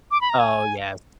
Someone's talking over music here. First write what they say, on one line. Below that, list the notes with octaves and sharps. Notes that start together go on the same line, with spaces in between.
Oh, yes.
D6
B5
A#5
G#5